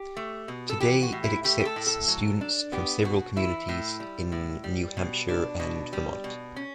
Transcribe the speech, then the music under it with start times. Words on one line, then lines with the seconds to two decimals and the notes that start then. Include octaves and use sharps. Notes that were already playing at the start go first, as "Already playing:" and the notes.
Today it accepts students from several communities in New Hampshire and Vermont.
Already playing: G4
0.17 A3
0.48 B2
0.69 A4
0.80 E3 G4
1.02 F#4
1.13 A2
1.24 E4
1.44 A3 G4
1.60 G4
1.65 A4
1.76 A2
1.87 A4
2.08 F#3
2.41 D4
2.72 B3 G4
3.04 B2 F#4
3.36 E3 E4
3.69 A2
4.00 G3
4.32 A2
4.64 G3
4.97 B2
5.29 D4
5.60 B2
5.93 G3
6.24 B2
6.56 C#4